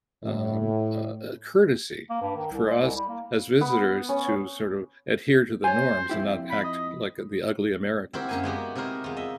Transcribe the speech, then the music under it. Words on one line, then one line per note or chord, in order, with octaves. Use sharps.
um, uh, a courtesy for us as visitors to sort of adhere to the norms and not act like, the ugly Americans.
A2
A#3
G2
D#3
C2
G#3
C2
G3
A#3
B3
C#4
C5 C#5 G#5
F2 E4 G4
B5
D#5
C4 E4 F#4 G4 A#4 C5
F#2 A#3 G#5
G#3 B3 F#4 G4
C3 D#4 E4 A#4 C5
E2 F4
D#5 E5